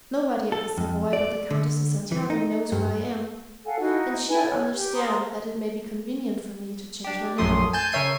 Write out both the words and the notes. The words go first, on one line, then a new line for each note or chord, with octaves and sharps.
Nobody at the Savoy but the Countess de Santiago knows who I am, and she'll understand that it may be convenient for me to change my name.
A4
F2
D5
D3
E3
D#4
G2
A4 F5 F#5 G#5
D#4 E4 F#4
A4 B4 G5 G#5
C#5
G4
C5 A#5 C6 D#6
D4 G4
A#1 F#2 F3 A3 C6 D#6
G#5 A5 G6
C#3 A#4 C#5 E5 C7 D#7